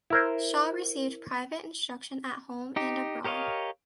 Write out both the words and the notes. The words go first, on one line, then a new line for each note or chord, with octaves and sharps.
Shaw received private instruction at home and abroad.
E4 A#4 C5
D#4 G4
G4 A#4 C#5 D#5 F5